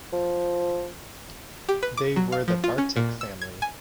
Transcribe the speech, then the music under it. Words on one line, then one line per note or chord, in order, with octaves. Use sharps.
They were the Bartik family.
F3
G4
B4
D6
F#3
F5
F3
F4
C#4
A#2
E6
G#6
G#5